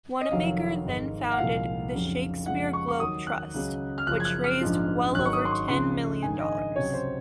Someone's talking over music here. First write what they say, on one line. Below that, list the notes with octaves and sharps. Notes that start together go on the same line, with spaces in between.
Wanamaker then founded the Shakespeare Globe Trust, which raised well over ten million dollars.
D#5
F1 F2 D#3 F#3 F5
G#1 G#2 D#3
F#5
C2 A#2 F3 G#3 F5
F1 F2 C#3 F#3
F2 C#3 F3 G#3 F#5
C#6
C#6
D#2 D#3 F#3 D#6
F#6
C#2 C#3 F#3
F6
F#1 F#2 C#3 F3 F#6
G#6
F#6
F6
A#1 G#2 F3
G#1 G#2 D#3 F#3 F#6
C#6
D#6
C6
C#6
C#2 C#3 F3 C6
A#1 G#2 D#3 G#5
D#5
D#5
C#2 C3 F#3 C#5
C5